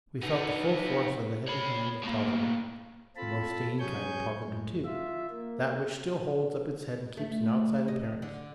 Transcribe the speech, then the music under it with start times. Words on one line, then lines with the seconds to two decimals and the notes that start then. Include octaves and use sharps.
We felt the full force of the heavy hand of poverty--the most stinging kind of poverty too, that which still holds up its head and keeps an outside appearance.
0.23 B3 D#4
1.48 C#5 B5
2.04 A2 A#3
3.16 C4 F4 A4 A5 B5
3.79 F#3 C#4 G#4 G#5 C#6 G6
4.44 F#2 A2 G#3
4.84 F4 E5
5.31 A#3
7.17 A3
7.88 D#5
8.22 D3